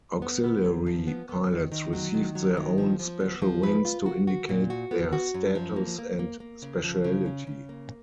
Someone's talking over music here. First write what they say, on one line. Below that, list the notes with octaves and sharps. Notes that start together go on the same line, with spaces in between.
Auxiliary pilots received their own special wings to indicate their status and specialty.
B3
B3
F#2
F3
B3
B3
D#3
D#3
F#3
D#3
F#3
D#3
F3
F3
B3
F3
B4
F4
F#4
F#4
A#2
F#4
B3
F#4
F#2
F3
A#3
A#3
A#3
A#3
C#3
F3
C#3
C#4
C#3
A#3